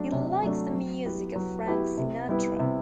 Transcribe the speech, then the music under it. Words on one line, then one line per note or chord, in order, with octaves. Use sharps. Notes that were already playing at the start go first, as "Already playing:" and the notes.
He likes the music of Frank Sinatra.
Already playing: F#3 A3 D4
C3
F#3 A3 D4
F#3
B3 E4 G4 B4
F#3
B3 E4 G4 B4
C3
G3 B3 E4
C3